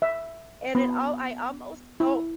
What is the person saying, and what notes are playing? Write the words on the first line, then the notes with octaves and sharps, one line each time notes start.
and it all I almost don't.
E5
B3
E4